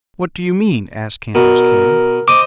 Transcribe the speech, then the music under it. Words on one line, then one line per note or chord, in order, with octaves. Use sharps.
"What do you mean?" asked Kantos Kan.
B2 A#4
C5 D#5 D6